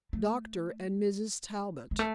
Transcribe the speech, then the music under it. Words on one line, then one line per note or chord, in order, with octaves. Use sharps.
"Dr. and Mrs. Talbot."
A3
G#3
A3